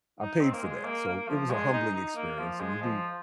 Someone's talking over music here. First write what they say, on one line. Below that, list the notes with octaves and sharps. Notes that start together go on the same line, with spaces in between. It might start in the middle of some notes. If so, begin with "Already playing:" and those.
I paid for that. So, it was a humbling experience, and you do
D#4
C4
A#3
G#3
A#3
A#3
F3
G#3
D#4
D#4
A#3
F3
G#3
F3